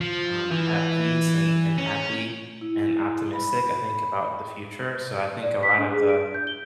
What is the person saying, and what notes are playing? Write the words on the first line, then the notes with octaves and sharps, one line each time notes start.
um, at peace and and happy, and optimistic, I think, about the future so, I think a lot of the,
F3
E3
C#4
E4
B5
D5
B6
D4
G#4
D7
G6
G7